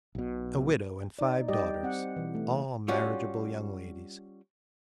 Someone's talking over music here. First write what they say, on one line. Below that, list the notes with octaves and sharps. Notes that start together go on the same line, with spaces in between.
A widow and five daughters, all marriageable young ladies.
B1 B2
D#4 D5
G3 G4 D5 D#5
C4 F#5
B2 E3
A3
G3 C#4 F4 F#4